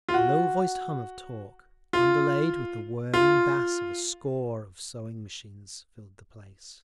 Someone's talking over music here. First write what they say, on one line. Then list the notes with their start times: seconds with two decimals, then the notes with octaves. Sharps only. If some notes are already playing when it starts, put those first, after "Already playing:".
A low-voiced hum of talk, underlaid with the whirring bass of a score of sewing machines, filled the place.
0.09 F4
0.14 F#4
1.93 F4
3.14 F4